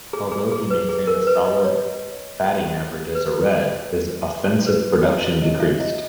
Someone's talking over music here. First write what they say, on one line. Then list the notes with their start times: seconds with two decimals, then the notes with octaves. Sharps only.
Although he maintained a solid batting average as a Red, his offensive production decreased.
0.13 G#4
0.32 G#4
0.52 G#4
0.70 B4
0.89 G#4
1.07 A#4
1.27 B4
1.45 D#5
1.64 C#5
3.15 B4
4.66 B4
5.04 C#5
5.42 D#5
5.60 E5
5.80 D#5